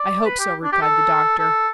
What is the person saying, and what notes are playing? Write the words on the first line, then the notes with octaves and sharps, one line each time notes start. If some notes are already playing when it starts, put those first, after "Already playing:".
"I hope so," replied the doctor.
Already playing: D5
B4
G4
D4
G4
A4
A4